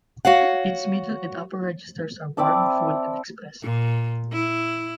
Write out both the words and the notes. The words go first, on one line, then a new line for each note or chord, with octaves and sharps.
Its middle and upper registers are warm, full, and expressive.
F#4 C#5 F5 F#5
C4 E4 D5 A5
A#2
E4